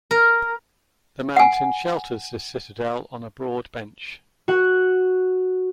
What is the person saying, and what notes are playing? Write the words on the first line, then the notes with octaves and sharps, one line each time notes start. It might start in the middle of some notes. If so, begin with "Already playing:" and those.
The mountain shelters this citadel on a broad bench.
A#4
F#5 G#5
F#4 F#5